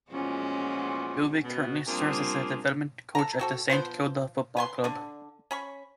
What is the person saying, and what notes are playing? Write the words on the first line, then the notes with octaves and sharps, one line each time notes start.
Gilbee currently serves as a development coach at the Saint Kilda Football Club.
E2 A#2 F3 G#3 C#4 F#4
B2
F3 G3 A#3 C4 D4 G#4
A4 A#5
C4 F#4 A4
F3 B3 F4 C5
B4 G#5 C6
D3 D4
C#4 B5 C#6